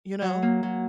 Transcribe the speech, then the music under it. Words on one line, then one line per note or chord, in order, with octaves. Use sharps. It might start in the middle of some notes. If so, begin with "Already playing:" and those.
you know.
F#3
A#3
F#3